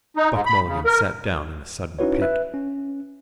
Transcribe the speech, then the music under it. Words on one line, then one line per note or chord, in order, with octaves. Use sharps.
Buck Mulligan sat down in a sudden pet.
D#4
G#2
B5
C#3
A#4
C#4 D#4 E4 F#4 B4 C#5
B4 E5 F#6
C#4